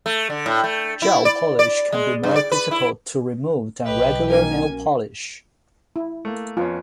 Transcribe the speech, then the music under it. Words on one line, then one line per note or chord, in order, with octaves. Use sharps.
Gel polish can be more difficult to remove than regular nail polish.
A3
D3
A2
A3
E4
D5
D5
G#3
G2
D5
B4
E4
B1 G4 B4 D#5
A#3 C#4 D#4 A#4 G#5
E4
A3 A#3
F2 B3 C#4 F4